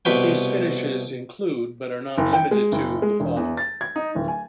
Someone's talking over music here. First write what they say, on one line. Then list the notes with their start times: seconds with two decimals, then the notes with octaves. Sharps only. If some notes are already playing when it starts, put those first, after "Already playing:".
These finishes include, but are not limited to, the following.
0.05 C2 B2 B4 G5
2.18 F#1
2.33 G5
2.51 G#3
2.72 F#1
3.02 G#3
3.20 E1
3.37 E2
3.57 A6
3.81 G#6
3.96 D#4
4.15 D1
4.28 G#5